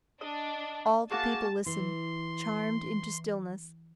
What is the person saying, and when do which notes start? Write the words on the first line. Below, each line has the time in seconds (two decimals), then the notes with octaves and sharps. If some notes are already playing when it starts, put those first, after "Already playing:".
All the people listened, charmed into stillness.
0.21 D4 D#5
1.11 A#3 F#4 G#4 A5
1.66 E3 C6